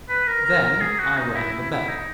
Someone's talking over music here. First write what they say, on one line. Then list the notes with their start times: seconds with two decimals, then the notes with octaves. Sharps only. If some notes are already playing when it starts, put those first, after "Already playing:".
Then I rang the bell.
0.09 B4
0.27 A#4
0.45 A#4
0.62 A#4
0.80 G#4
0.99 F#4
1.17 D#4
1.35 E4
1.52 E4
1.71 E4
1.88 D#4